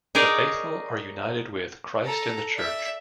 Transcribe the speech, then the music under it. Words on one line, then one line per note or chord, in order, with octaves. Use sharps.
The faithful are united with Christ in the Church.
D#4 G#4 A#4 C#5 D5
A4 A#5
D5 E5